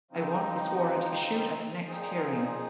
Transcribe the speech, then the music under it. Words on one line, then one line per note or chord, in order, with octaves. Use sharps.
I want this warrant issued at the next hearing.
C#3 F3 C4 D#4
A#2 F3 C4 D#4 G#4